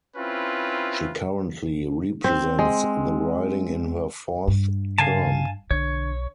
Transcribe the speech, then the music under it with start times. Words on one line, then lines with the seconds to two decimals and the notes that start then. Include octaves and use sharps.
She currently represents the riding in her fourth term.
0.16 C4 C#4 E4 F4 B4
2.24 C4
2.59 G#3
4.48 G2
4.98 C#3 F5 G#5 A5
5.71 B1 D3 C#5